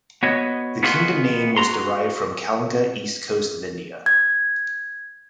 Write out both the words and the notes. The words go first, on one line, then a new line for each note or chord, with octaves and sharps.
The kingdom name was derived from Kalinga east coast of India.
B3 F#4 C#5 D#5
B3 D#4 F4 F#4 G#4 B4
F#4 A#5 C6
G#6